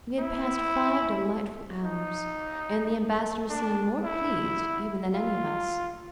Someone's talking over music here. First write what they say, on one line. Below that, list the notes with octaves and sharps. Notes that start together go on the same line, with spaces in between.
We had passed five delightful hours, and the ambassador seemed more pleased even than any of us.
E4
D#4
D4
E4
F4